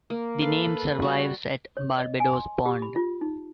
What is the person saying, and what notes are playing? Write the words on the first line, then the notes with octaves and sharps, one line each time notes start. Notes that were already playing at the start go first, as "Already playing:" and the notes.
The name survives at Barbadoes Pond.
A#3
A4 B4 F5
G3 F#4
C#5
D#5
G#5
C6
G4
B5
F4
D#4